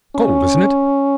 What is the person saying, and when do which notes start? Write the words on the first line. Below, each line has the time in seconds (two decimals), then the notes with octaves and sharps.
"Cold, isn't it?"
0.16 C#4